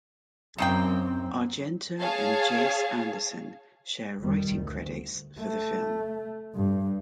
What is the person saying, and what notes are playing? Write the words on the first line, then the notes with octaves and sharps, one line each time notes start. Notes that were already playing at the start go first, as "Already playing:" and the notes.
Argento and Jace Anderson share writing credits for the film.
F#2 D#3 A#3 C4 G5
G#4 C#5 F5 A5
F1 D#3 G3
D2
A3
G2